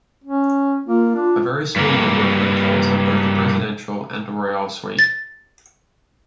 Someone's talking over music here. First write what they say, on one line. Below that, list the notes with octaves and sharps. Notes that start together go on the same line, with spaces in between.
A very small number of hotels have both a Presidential and a Royal suite.
C#4
A#3 F4
D4
G2 A#3
A6